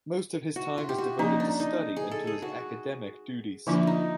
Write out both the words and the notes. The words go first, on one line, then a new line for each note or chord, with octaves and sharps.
Most of his time was devoted to study and to his academic duties.
F#4
F4
G4
F#4
F3 A#3 C#4 D#4
D4
D#4
G#4
A4
G#4
F#4
D3 F3 A#3 D4 E4 F4
D#4